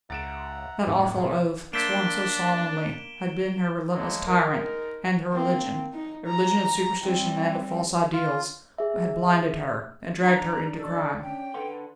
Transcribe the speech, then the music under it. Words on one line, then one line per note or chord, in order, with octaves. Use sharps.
That awful oath, sworn so solemnly, had been her relentless tyrant; and her religion--a religion of superstition and of false ideals--had blinded her, and dragged her into crime.
C#2 E5 F#5 A#5 A6 D7 E7
A1 F2 F#3 D#4
B2 F4 G#4
A#3 D4 C5 E5 D7 E7 G7
A2 F3 F#3 G#3 A#3
G#3 D#4 A#4
A#3 C4
D#4
A#5
G3 C4
F4
G#4 E5
D4 A#5
F#2 D#4 A4 D5
C#4 G5
D3 A4 B4 F#5 C6